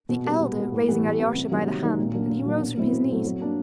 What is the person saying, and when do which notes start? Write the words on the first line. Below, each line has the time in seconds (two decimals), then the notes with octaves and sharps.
The elder raised Alyosha by the hand and he rose from his knees.
0.09 B2
0.25 G3 B3
0.40 B2
0.56 G3 B3
0.72 A2
0.88 E3 G3 B3
1.03 A2
1.19 E3 G3 B3
1.35 C3
1.51 D#3 F#3 A#3 D#4
1.66 C3
1.82 D#3 F#3 A#3 D#4
1.98 A#2
2.14 F#3 A#3 D4
2.30 A#2
2.46 F#3 A#3 D4
2.61 B2
2.77 F#3 A3 C4 E4
2.93 B2
3.09 F#3 A3 C4 E4
3.24 F#3
3.41 A#3 D4